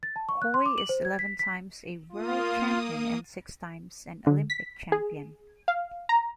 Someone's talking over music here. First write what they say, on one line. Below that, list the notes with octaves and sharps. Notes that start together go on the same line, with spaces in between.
Hoy is eleven-times a world champion and six-times an Olympic champion.
A6
A5
C#6
F#6
C6
D6
F#7
C5
G#6
B6
B6
A#3 F4 D#6
D3
B6
G#4
F5
A#5